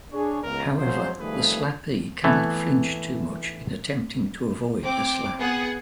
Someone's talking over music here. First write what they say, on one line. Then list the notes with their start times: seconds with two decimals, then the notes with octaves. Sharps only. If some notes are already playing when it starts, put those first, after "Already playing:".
However, the slappee cannot flinch too much in attempting to avoid a slap.
0.12 D4 G#4 C#5
0.43 C#2 B3 A#4
0.78 F3 F#3 G#3 C5
1.20 D#3 F3 G3 A3 G#4 B4
2.24 E3 A3 B3
4.83 C4 D6
5.39 B3 G#4 F#5